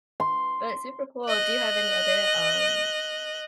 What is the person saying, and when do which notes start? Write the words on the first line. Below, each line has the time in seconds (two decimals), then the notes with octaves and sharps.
but super cool. Do you have any other, um,
0.20 C6
1.27 D#5 F#6